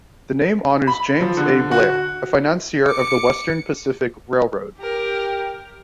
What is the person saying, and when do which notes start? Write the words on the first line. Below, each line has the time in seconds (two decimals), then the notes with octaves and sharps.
The name honors James A. Blair, a financier of the Western Pacific Railroad.
0.87 B5
1.22 F3
1.37 D3
1.71 F#4
2.87 D6 C#7
4.79 G4 A#4